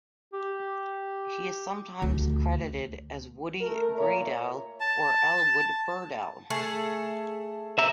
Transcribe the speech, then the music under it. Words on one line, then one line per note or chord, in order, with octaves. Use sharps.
He is sometimes credited as Woody Bredell or Elwood Burdell.
G4
D2
A3 A#4
A#2 C#5 E5 A#5
A5
A3 G#4 A4
E5 A#5